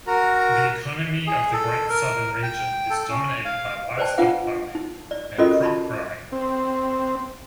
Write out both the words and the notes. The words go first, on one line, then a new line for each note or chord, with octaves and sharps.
The economy of the Great Southern Region is dominated by livestock farming and crop-growing.
F#4 A#4 A#5
G#4
A4
A#4
G5
A4
C#4
F5
B4 C5 D5 G5 A5
D4 F4 B4 F5 F#5
D#4
D5
C#4 F4 F#4 A4 A#4 D#5
A5 B5
C4